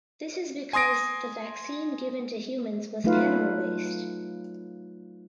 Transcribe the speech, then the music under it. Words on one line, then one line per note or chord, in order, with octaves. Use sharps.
This is because the vaccine given to humans was animal based.
G#5 C6 D#6 A#6 D7
F#3 A3 D#4 F4 B4 F5